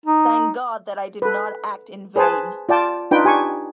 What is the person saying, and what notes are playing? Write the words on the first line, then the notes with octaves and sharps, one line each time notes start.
Thank God that I did not act in vain!
D#4
A4 B4
G#4 B4 C5 G#5 A5
F4 D5 G5 A5
D4 D#4 F4 B4 G5
G4 G#5 A5 C#6